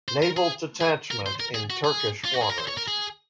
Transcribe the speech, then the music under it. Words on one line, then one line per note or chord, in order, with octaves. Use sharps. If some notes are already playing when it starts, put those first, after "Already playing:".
Naval Detachment in Turkish Waters.
C5
A#4
G#4
G#4
A#4
C5
A#4
G#4
F#4
G#4
F4
F#4
G#4
A#4
C5
C#5
A#4
G#4